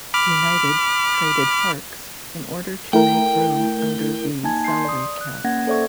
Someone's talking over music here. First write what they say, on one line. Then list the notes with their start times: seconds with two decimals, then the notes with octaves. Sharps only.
United traded Harkes in order to make room under the salary cap.
0.14 B5 D6 F6
2.93 A3 E4 A#4 G5
4.43 A#3 D#4 G#5 A5 G#6
4.64 C6 G6 C7
4.85 D5 D#6
5.21 F#6
5.44 A#3 C#4 F#5 G#6 A#6
5.67 A4 C5 D5 E5 C#6 G#6